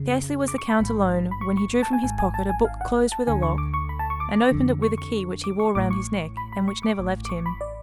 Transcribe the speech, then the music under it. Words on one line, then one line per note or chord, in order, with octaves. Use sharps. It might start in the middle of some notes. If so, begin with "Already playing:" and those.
Scarcely was the count alone, when he drew from his pocket a book closed with a lock, and opened it with a key which he wore round his neck, and which never left him.
Already playing: F2 C#3
D6
C#6
B5
A1 G#2
B5
C#6
C#6
A5
G#5
G#1 G#2 G#5
G#5
A5
G#5
F5
F#5
A5
D2 D3 G#5
C#6
D6
C#6
B5
A5
C#6
D6
F2 D3
C#6
C#6
D6
C#6
A1 A2 D6
C#6
B5
B5
C#6
D6
A1 A2
D6
C#6
B5
D5